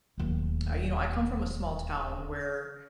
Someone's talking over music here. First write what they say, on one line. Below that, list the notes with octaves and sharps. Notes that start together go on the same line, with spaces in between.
uh, you know, I come from a small town where,
D1 D#2